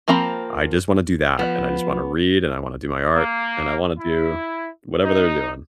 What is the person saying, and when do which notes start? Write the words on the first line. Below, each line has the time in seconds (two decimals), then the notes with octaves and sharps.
I just wanna do that, and I just wanna read, and I wanna do my art, and I wanna do whatever they're doing.
0.08 F3 A#3 C4 A#5 B5
1.39 F3 B3
3.12 A#3
3.97 E4
5.03 D#4